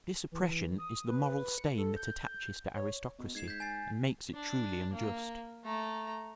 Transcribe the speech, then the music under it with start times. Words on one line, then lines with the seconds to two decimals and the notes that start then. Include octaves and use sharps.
This oppression is the moral stain that attaches to aristocracy and makes it truly unjust.
0.32 E3
0.78 D#6
1.09 B4
1.58 C#7
1.78 A4
1.96 G6
2.75 C#5
3.19 B2
3.35 G#2 G#6 C7 E7
3.48 G6 G#6 B6
3.60 G#5 A6 C7
4.35 D4
4.93 A#3
5.65 A3 A#5